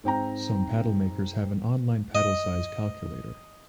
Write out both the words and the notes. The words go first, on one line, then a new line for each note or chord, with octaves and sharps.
Some paddle makers have an online paddle size calculator.
G#2 C4 G5 A#5
D#5